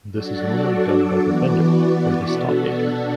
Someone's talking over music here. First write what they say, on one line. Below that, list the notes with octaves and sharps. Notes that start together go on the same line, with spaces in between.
This is normally done by the vendor, or the stock agent.
F#3 D4 F#4 A4 D5
E3 B3 F#4 D5
B2 B3 D4 F#4 A4